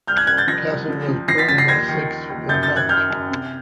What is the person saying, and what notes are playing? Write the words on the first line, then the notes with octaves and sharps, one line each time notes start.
Castle was born in Essex, Vermont.
C2 F6 G6
F#6 G#6
C2 F#6 G#6
G6 A6
F3 G#6 A#6
C2
F3
F3
F3 A#6 C7
A6 B6
F3 A6 B6
A#6 C7
D#2 G#6 A#6
D#3
D#3
D#2
F#2 G6 A6
G6 A6
D#3
F#6 G#6
F#2 F6 G6
F#2
C3